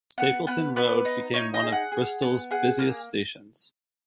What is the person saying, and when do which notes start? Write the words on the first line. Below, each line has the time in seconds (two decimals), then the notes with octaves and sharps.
Stapleton Road became one of Bristol's busiest stations.
0.18 B3 F#5
0.47 B3 B4
0.76 B3 B4
1.05 D#4
1.34 D#4 C#5
1.54 D#5
1.63 G#4
1.72 F#5
1.92 G#4
2.22 B3
2.51 G#4 F#5
2.79 A#3